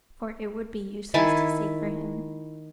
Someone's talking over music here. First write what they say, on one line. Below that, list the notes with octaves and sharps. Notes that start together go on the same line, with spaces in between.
For it would be useless to seek for him.
D#3 E4 G#5 A5